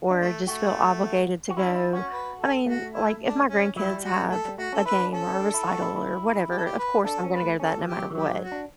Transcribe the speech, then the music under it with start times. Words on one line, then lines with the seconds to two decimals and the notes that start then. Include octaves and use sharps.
or just feel obligated to go, I mean, like, if my grandkids have a game or a recital or whatever, of course I'm gonna go to that no matter what.
0.11 D4
0.20 A3
0.47 A3 F#4
1.50 F#4
1.57 C#4 E4
1.68 D4
1.76 E4
1.93 C#4 F#4
2.12 B4
2.39 A4
2.66 A3 F#4
2.94 E4
3.22 D4
3.49 C#4
3.76 F#3 E4
3.94 G3
4.03 F#4
4.13 G3
4.30 A3 A4
4.45 G3
4.58 A3 F#4
4.73 C#4 A4
4.86 E4 B4
4.99 D4
5.13 C#4 A4
5.27 C#4
5.40 D4
5.54 E4
5.67 F#4
5.82 E4
5.96 E4
6.51 G4
6.57 A4
6.65 G4
6.78 B4
7.04 D4 A4
7.23 C#4
7.32 B4
7.42 A3
7.60 C#4 A4
7.78 E3
7.87 G4
7.96 F#3
8.10 E3
8.15 F#3 G4
8.33 F#3
8.42 F#4
8.52 D4